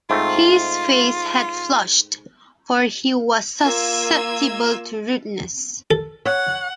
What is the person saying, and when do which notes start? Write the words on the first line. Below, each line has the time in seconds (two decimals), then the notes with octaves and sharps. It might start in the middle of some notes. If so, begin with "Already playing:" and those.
His face had flushed, for he was susceptible to rudeness.
0.10 G#2 A3 C4 F4
3.60 A#3 F4 E6 G#6
5.91 A4
6.26 C#5 F#5